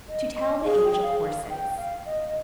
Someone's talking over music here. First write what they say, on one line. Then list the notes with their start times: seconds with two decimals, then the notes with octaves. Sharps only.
To Tell the Age of Horses.
0.09 D#5
0.37 D#5
0.64 G#4 F5
0.84 G5
1.03 F5
1.21 F5
1.49 G5
1.77 F5
2.06 D#5
2.28 D#5